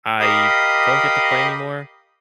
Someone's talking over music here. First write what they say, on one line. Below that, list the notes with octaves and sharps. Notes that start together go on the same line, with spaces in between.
I don't get to play anymore,
G4 A#4 D#5 F5 B5 D#6